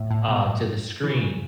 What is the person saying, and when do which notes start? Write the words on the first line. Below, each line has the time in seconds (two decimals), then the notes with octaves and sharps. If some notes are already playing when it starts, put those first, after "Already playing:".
uh, to the screen,
Already playing: A2
0.11 A2
0.28 B2
0.45 A2
1.04 E3
1.16 C#3